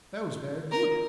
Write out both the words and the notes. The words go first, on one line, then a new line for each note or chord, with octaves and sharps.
That was very good!
A#4